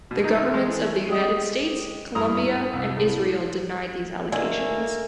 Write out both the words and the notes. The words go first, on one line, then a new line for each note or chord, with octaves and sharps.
The governments of the United States, Colombia, and Israel denied these allegations.
B2
D#4
A1
G#3
E3
A3
G#3 G4 D#5 D#6
G2 E4 A#5 D#6
C2
A2 A3
D3 D#3 A3 A#3 G#5